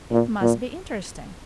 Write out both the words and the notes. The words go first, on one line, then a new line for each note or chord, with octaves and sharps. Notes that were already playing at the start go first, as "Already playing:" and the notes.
It must be interesting.
A#2
A#2